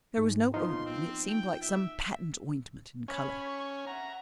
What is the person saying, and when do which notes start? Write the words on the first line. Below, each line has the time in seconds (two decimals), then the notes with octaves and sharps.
There was no odor and it seemed like some patent ointment in color.
0.17 G#2
0.54 F3 B3 D#4 F5 C6
0.86 C4
1.28 G5
1.62 E5
3.08 C#4 C#5 B5
3.48 C#6
3.87 E5 F#5 A#5